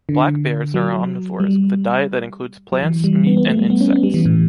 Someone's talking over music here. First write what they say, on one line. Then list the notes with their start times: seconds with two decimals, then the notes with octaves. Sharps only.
Black bears are omnivores with a diet that includes plants, meat and insects.
0.09 D3
0.74 F#3
1.40 G3
2.72 F#3
2.83 E3
3.04 G3
3.27 B3
3.37 B3
3.48 A3
3.59 G3
3.70 B3
3.81 C#4
3.92 B3
4.03 G3
4.14 E3
4.25 A2